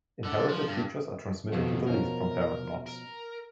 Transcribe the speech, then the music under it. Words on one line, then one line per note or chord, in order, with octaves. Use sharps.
Inherited features are transmitted to the leaves from parent knots.
D3
F3
G2
F2 B2 D#3 F3 F#3
B2 F3 C#4 A#4
A#4